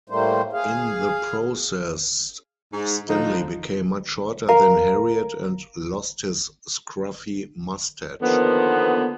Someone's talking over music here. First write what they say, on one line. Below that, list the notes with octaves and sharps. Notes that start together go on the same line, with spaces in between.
In the process, Stanley became much shorter than Harriet and lost his scruffy mustache.
A2 G3 A3 A#3 C5
G#4 F5
G#2
D3 F3 D#4
A#4 F5
D3 D#3 F3 A#3 B3